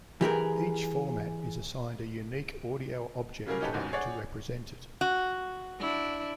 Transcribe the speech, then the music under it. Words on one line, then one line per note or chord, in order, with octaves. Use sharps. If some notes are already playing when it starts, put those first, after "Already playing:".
Each format is assigned a unique Audio Object Type to represent it.
E3 G4 G#4 A#4
C#3 F#3 G3 A#3 G#4 A#4
C#4 D#4 G4 A4 B4
F1 D#2 G#2 B2 C#4 G6
G#4 C#5 D5 F#5
F#4
D4 E4